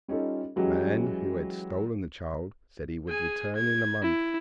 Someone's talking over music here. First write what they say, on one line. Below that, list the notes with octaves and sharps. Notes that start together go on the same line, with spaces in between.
The man who had stolen the child said he would return in a month.
G3 C#4 D#4 F4 A4
E3 F#3 G#3 C#4 F#4 G4
G#4 G#5
G#6
E4